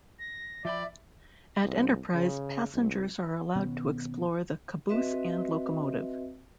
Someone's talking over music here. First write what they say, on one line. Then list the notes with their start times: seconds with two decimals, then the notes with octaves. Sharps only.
At Enterprise passengers are allowed to explore the caboose and locomotive.
0.19 A#6
0.65 F3 D5 E5 G5 B5
1.64 C2
2.14 C#3
2.73 C2
3.56 B2 D#3 B3 C#4
4.89 C4 F#4 B4 D#5 E5